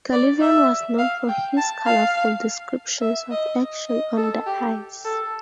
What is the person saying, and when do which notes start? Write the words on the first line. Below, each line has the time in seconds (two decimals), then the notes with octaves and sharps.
Gallivan was known for his colourful descriptions of action on the ice.
0.12 D5
0.42 E5
0.99 F5
1.29 G5
1.57 A5
1.86 F5
3.02 E5
3.31 D#5
3.89 D#5
4.17 A4
4.47 G4
5.05 A4